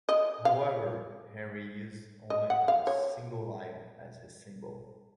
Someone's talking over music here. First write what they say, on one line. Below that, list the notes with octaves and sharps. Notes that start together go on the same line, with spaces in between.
However, Henry used only a single lion as his symbol.
D#5
F5
D#5
F#5
F5
C#5